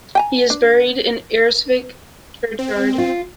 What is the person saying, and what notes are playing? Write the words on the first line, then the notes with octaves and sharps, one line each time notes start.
He is buried in Inveresk churchyard.
G5 G#5 A#5
D4
C4
F4